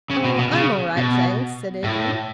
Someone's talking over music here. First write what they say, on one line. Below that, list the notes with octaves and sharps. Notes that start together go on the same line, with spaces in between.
"Oh! I'm all right, thanks," said Edwin.
C#3
B2
B2
C#3
B2
A2